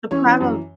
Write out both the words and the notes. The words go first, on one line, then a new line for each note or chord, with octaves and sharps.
The problem
E3 C#4 C#5
E3
F#2